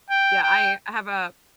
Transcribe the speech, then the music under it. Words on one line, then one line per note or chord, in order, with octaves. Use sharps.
Yeah, I I have a
G5
G5